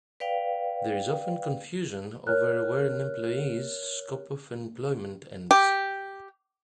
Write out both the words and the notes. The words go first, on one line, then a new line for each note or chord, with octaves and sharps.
There is often confusion over where an employee's "scope of employment" ends.
B4 D5 F5 G5
A#4 C#5 F6 F#6
G4